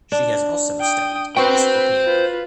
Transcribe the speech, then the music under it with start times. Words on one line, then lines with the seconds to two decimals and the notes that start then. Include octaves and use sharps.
She has also studied classical piano.
0.12 D4
0.81 G5 D#6
1.37 F#4 B4 C5 G5
2.05 F4 B4